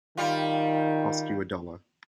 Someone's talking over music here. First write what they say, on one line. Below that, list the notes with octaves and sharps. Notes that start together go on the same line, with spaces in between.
Cost you a dollar.
D#3 G3 F4